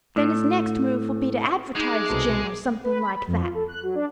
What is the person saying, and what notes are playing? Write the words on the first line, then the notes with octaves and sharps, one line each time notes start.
Then his next move will be to advertise Jim, or something like that.
A2
G#3 D#4 G#4 D6
C2 B2 A4
B4
B5
B5
F2
F4
A4
F#6
F#3
D4